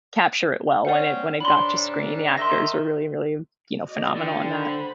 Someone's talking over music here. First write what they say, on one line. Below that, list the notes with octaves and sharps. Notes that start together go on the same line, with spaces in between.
capture it well when it when it got to screen, the actors were really, really, you know, phenomenal in that.
C4 C#4 D5 F#5
G#2 C#3 D4 B5 C6
D#3 E5 C6 A#6
F#4 D5 D#5
D3 F4 G5 G#5
C5 B5